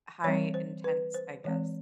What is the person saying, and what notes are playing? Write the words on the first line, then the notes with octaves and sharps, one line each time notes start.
high intense, I guess.
E3 G3 C4 C#5
C5
B4
C5
E3 G#3 C4 C#5